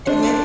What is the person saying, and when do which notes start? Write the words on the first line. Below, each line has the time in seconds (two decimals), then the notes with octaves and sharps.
That makes
0.06 D4 C5